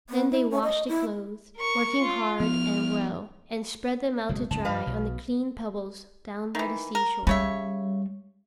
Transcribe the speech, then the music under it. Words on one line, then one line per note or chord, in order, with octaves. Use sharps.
Then they washed the clothes, working hard and well, and spread them out to dry on the clean pebbles down by the seashore.
B3
E4
C#4
D#5
E4
A#4 C#6
F4
F3 B3 F6
F#1 B2 G#3
F#1 C#2 G#2 A5
G2 F3 B4 D#5 F5
B1 B2
D#3 E3
A#4
C#3 G3 C#5 E5